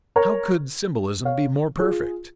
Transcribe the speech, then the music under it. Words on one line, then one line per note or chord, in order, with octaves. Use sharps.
How could symbolism be more perfect?
A#4 C#5
C#5 F5
F4 G#4